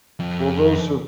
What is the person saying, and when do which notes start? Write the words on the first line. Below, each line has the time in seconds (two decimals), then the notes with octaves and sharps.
Well, those are
0.20 F2